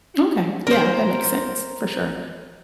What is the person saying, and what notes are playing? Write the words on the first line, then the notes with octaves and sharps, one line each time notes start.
Okay. Yeah, that makes sense, for sure.
A#4 C5